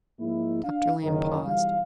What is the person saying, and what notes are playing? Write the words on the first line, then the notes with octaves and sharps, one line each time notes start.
Dr. Lamb paused.
G#2 F3 A#3 D#4 E4
D4 F5
F#1 D#3
B1 E3 G3 F5